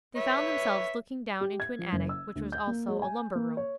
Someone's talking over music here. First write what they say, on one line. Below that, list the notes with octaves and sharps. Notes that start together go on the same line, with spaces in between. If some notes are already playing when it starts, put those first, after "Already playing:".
They found themselves looking down into an attic, which was also a lumber-room.
B4 C#5 E5
G4
G#6
F3
F#1
E6
D2
G6
A#3
G#3
G#5
A#3
C#5